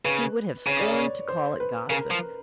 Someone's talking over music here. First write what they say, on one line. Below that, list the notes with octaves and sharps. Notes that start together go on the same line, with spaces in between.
He would have scorned to call it gossip.
C#3 B4
C#3 C#5
D5
C#5
C5
B4
C#3 A#4
F3